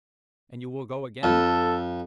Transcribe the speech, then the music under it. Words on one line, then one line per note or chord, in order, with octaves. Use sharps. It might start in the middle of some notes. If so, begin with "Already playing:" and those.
"And you will go again?"
F2 A4